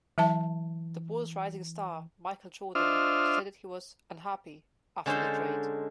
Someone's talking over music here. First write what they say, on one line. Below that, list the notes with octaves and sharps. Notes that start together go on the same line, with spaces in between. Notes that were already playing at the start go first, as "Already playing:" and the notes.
The Bulls' rising star Michael Jordan stated he was "unhappy" after the trade.
E3 F#3 E5 A5
D4 F4 C5 D#5 E5 F6
D3 G#3 C#4 D#4 A4 C5